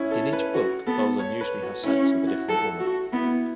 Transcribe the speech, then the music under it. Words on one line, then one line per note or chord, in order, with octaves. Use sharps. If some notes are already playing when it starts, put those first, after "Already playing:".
In each book, Bolan usually has sex with a different woman.
Already playing: C#4 E4
A4
B4
F#4
B3 A4
C#5
B4
F#4
C#4 E4
E4
F#4
A4
F#4
B3 E4